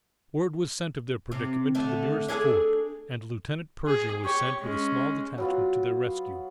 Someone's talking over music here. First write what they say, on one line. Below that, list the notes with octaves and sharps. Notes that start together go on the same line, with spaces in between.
Word was sent of their predicament to the nearest fort, and Lieutenant Pershing was sent with a small detachment to their rescue.
C3
D3 A3
D4 G#4 A4
G#4
G4 C#5
G#3 C#4
F#3 B3 F4